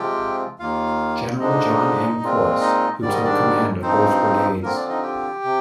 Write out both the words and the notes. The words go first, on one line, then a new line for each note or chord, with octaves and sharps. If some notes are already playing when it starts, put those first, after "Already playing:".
General John M. Corse, who took command of both brigades.
Already playing: C3 F3 G#3 C4 F4 G4 G5
D#2 D#3 A#3 F4 F5
D3 F3 G#3 D4 D#4 D#5
A#2 G#3 C4 F4
D#4 D#5
G#2 D#3 G3 D5
D#5
D4 D5
G2 F3 C4 D#4 C5
D3 F3 A#3 C4 F4 A#4
D4 D5
D#4 D#5
G4 G5
C3